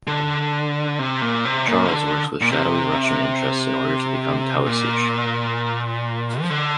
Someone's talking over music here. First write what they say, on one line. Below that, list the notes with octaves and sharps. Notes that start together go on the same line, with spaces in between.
Charles works with shadowy Russian interests in order to become Taoiseach.
D3
C3
A#2
C3
A#2
C3
D3
A#2
C3
A#2
F3
D3